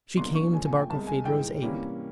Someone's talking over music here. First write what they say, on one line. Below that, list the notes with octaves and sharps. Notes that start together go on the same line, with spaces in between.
She came to Barkilphedro's aid!
B2 F#3 A#3 D4 C6
C#6
A#2 F3 A3 C4 G#5
G#5
G5
C2 B2 G#3 A5
G#5
G#2 E3 G#3 G5
C3 E3 G3 A#3 C#4